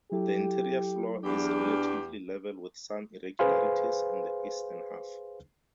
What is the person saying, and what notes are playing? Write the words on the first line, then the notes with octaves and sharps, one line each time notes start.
The interior floor is relatively level with some irregularities in the eastern half.
F#3 E4 G4 A4
E2 D4 G4
G#4 B4 C5 F5 G#5 C6